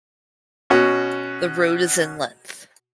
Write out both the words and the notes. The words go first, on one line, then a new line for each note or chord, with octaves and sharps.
The road is in length.
B2 C#4 F#4